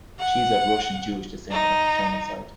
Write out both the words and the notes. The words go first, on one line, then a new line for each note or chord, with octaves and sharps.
She is of Russian Jewish descent on her paternal side.
F#5
D#4